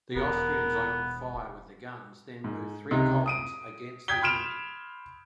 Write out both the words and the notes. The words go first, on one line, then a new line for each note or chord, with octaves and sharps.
The Austrians opened fire with the guns, then moved three columns against the enemy.
E1 B3 A#4
G#2
C#2 C3 D#4
D#6 D7 D#7
G5 D#6 G6 G#6 B6 G7
B5 C6 F6 D7 E7 F7